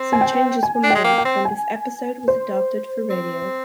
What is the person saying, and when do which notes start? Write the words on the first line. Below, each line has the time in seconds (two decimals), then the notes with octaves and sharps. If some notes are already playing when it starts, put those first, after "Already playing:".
Some changes were made when this episode was adapted for radio.
Already playing: C4
0.13 G#5
0.21 G5
0.63 G#5
0.83 D4
0.90 G#3 G5
1.04 A#3
1.18 G5
1.25 C4
1.45 G#5
2.28 C5
3.10 C4